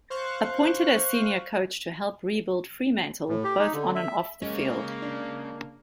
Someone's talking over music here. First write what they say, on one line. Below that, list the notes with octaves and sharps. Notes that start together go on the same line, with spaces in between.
Appointed as senior coach to help rebuild Fremantle both on and off the field.
C5 F5 C#6 F#6
A2
G4
D#4
D3
E5
C#3 G#3 A#3
D4